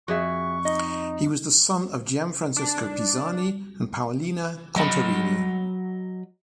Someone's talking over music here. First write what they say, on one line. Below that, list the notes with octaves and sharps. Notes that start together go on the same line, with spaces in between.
He was the son of Gianfrancesco Pisani and Paolina Contarini.
F2 F#4 G#4 E5 C#6
D#4 D#5
D4
F#3 D#5 B5